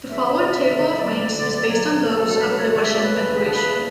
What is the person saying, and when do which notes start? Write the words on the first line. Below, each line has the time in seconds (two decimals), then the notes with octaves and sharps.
The following table of Ranks is based on those of the Russian Federation.
0.09 E2 E5
0.27 F#3 E5
0.38 D5
0.45 E2 E5
0.62 D3
0.80 D2
0.98 F#3 D5
1.15 D2
1.33 D3
1.51 D2
1.62 D5
1.68 F#3 C#5
1.86 D2
2.04 C#3 A4
2.16 A4
2.21 F#2
2.27 A4
2.39 F#3 B4
2.50 B4
2.57 F#2 C#5
2.74 C#3 D5
2.83 E5
2.92 D2 D5
3.01 B4
3.10 E3
3.28 D2
3.45 C#3 A4
3.54 B4
3.63 E2